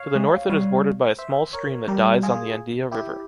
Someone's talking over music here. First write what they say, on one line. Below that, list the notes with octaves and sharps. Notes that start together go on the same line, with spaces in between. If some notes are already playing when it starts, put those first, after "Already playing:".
To the north it is bordered by a small stream that dies on the Andilla river.
Already playing: C#5 F5
G#3
G3 C#5 F5
C5 E5
A#4 C#5
G3 G4 A#4
F4 G#4
E4 G4